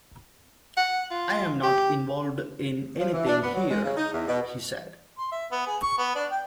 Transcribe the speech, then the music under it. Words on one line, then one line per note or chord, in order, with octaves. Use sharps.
"I am not involved in anything here," he said.
F#5
F4
G4
F3
E3
D4
B3
F#3
G#3
C#3
D#4
E2
B2
C6
E5
B3
G#4
C#6
B3
D4
G5